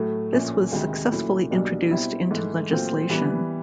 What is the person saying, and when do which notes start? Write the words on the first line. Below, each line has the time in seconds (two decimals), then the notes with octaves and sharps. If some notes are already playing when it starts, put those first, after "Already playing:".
This was successfully introduced into legislation.
Already playing: A2 F#3 A3
0.33 A#1 A#2 F3 A3 C#4
0.72 D2 C3 D#3 G#3
1.11 A#2 F#3 A3 C#4 E4
1.51 B1 B2 G3 A#3 D4
1.91 B2 G3 C4 E4
2.31 G#2 E3 A3
2.70 A#2 F#3 A3 C4 F4
3.10 E3 G3 B3